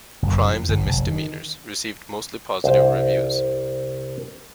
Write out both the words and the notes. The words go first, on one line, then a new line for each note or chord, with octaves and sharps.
"Crimes and Misdemeanors" received mostly positive reviews.
F#1
F2
G1
F1
D#3
C2 C5